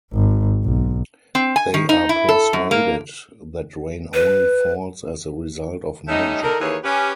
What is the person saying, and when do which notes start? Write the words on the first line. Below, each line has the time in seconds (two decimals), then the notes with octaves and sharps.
They are persuaded that rain only falls as a result of magic.
0.13 G#1
0.64 B1
1.35 C4
1.56 G#5
1.74 D#3
1.89 D#4
2.09 E4
2.29 A4
2.53 F#2
2.71 A#3
4.14 B4
6.08 G3 A3 C#4 D#4
6.42 D3 D4 D#4 A#4
6.59 D#2 D#3 E3 A#3 G#4 C#5
6.83 C#4 G4 B4